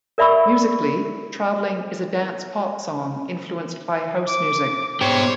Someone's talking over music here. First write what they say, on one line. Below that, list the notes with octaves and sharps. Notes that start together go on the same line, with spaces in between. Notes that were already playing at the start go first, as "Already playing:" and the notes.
Musically, "Traveling" is a dance-pop song, influenced by house music.
A#4 D5 E5 B5 C#6 E6
D6
G#2 G3 B3 G#4 C5 C#5 G5